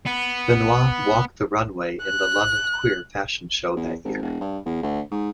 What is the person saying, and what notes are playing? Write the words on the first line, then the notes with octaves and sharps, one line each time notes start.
Benoit walked the runway in the London Queer Fashion Show that year.
B3
F#6
E2
G#1
E1
G2
E2
D2
G#2